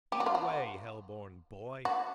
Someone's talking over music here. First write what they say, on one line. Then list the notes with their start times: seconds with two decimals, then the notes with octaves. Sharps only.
Eat away, hell-born boy!
0.12 G4
0.20 F#4
0.26 F4
0.35 F#4
1.85 F#4